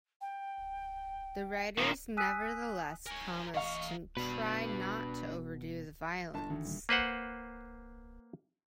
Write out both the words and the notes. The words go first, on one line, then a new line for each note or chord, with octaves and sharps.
The writers nevertheless promised to try not to overdo the violence.
G5
A#2 D#3 D#6
G#5 D#6 E6 F#6 B6 D#7
A#4 C#5 G#5
E3 D#5 F5 A#5 C#6
B2 D4 B4
G1 A5
D2 D#3 E3
A#2 D#3 G3
A#3 B4 C5 F#5